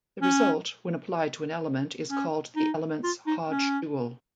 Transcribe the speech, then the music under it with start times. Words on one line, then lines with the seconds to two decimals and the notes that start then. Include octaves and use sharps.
The result when applied to an element is called the element's Hodge dual.
0.22 C#4
2.10 C#4
2.56 D#4
3.04 F4
3.27 D#4
3.50 C#4